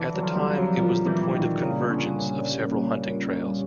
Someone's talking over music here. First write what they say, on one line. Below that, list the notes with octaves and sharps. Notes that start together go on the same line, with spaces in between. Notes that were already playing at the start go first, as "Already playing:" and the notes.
At the time it was the point of convergence of several hunting trails.
Already playing: D3 E3
F#3
F3
G3
D3
F#3
A#2 F3
E3 G3
A#2 D#3
C#3 A#3
D3 C#4